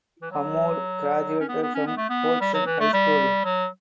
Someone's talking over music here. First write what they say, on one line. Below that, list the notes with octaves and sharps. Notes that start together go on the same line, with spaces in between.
Hammoud graduated from Fordson High School.
E3
F#3
C#4
B3
B3
C#4
B3
A3
B3
G3
F#3
E3
A3
G3
F#3